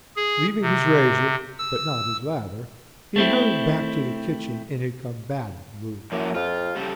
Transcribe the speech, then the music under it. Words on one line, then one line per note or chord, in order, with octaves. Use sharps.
Leaving his razor, but not his lather, he hurried back to the kitchen in a combative mood.
G#4
C3
E6
A3 C4 E4
F#2 F3 A#3 E4
F2 F4
C#3 G3 A4